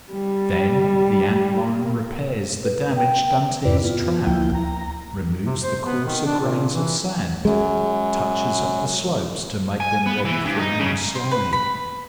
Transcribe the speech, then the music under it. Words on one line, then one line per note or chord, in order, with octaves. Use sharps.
Then the Ant-lion repairs the damage done to his trap, removes the coarser grains of sand, touches up the slopes to make them ready for a new slide.
G3
A#3
B4
G5
F2 G#2 C3 E4 B4 D5
B3 F4
D2 F3 A#3 E4 G5
A#5
C3
C5
B3
D#3
D4
A#2
E3
F#2 G#3
G#5
B3
E3
G2
D#4
C#3
C5
B4
B5